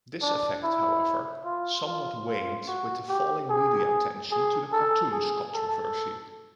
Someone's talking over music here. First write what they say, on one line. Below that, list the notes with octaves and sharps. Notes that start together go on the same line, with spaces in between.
This effect, however, somewhat waned with the falling media attention to the cartoons controversy.
D4
E4
F4
F4
F4
F#4
G4
G#4
G#4
A4
G#4
A4